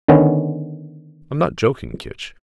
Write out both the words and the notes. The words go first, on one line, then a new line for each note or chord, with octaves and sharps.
I'm not joking, Kinch.
D3 D#3 B3 C#4